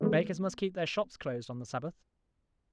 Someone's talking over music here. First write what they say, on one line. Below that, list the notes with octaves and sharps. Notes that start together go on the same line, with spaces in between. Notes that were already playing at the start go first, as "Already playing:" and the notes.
Bakers must keep their shops closed on the Sabbath.
D3 E3 G#3 A3 B3